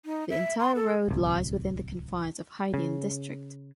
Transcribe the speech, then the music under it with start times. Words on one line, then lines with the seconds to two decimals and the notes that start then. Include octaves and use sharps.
The entire road lies within the confines of Haidian District.
0.05 D#4
0.30 E5
0.60 C6
0.76 A4
1.08 D1 C2
2.74 C#3